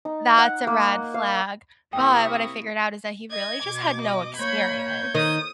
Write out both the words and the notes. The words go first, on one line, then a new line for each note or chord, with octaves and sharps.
that's a red flag." But, what I figured out is that he really just had no experience.
D#4
F#5
A#3
F5
C3 A#3 E4 G5 C#6 D#6 E6
D#5 G#6
B2 D6
D#5
A#3 C#5 B5 G6 G#6
G6 G#6
D#3 D#6